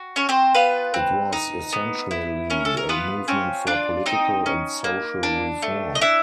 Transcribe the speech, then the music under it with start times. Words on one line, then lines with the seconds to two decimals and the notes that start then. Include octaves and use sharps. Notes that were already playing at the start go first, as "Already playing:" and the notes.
It was essentially a movement for political and social reform.
Already playing: F#4
0.16 C#4 C#5
0.29 C4 C5
0.55 B3 F4 B4
0.94 C4
1.33 D#4
1.73 B3
2.11 E4
2.50 C#4 A#4
2.65 A4
2.77 A#4
2.89 B3 F4 B4
3.28 C4 C#4 C#5
3.67 D4 F4 D5
4.06 C4 D#4 D#5
4.46 C#4
4.84 A#3
5.23 D4
5.62 A3
5.95 D#5
6.01 D4 E4 E5